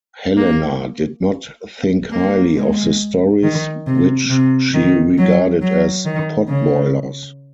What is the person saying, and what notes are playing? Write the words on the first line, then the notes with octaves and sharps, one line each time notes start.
Helena did not think highly of the stories, which she regarded as potboilers.
A#3
A#3
G#3
D#3
C3
C3
D#3
F#3
F#3
D#3
C#3